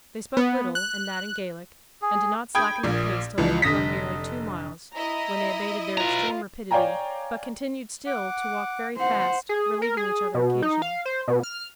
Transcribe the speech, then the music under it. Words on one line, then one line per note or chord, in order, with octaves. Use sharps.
They spoke little, and that in Gaelic; and did not slacken their pace till they had run nearly two miles, when they abated their extreme rapidity, but continued still to walk very fast, relieving each other occasionally.
B3
F#6
G#4
G5 B5 D#6 G6 G#6
A#1 A#2
C#2 E3 F3
F1 D3 D#6 A#6 B6
E4 D#5 A#5
F4 B4 A#5
C#5 D5 F5 G5 G#5 A#5
F#5 D6
C4 C5 F#5
G#4
A#4
G#4
B2
D#4
F5
C5
B2
F6